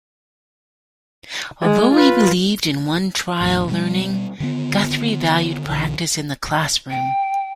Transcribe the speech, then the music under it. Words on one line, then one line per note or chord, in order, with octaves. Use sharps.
Although he believed in one-trial learning, Guthrie valued practice in the classroom.
G#3
F4 B4
A1 E2
B2 G3
D3 D#3 G#3 B3
B1 D3 E3
G5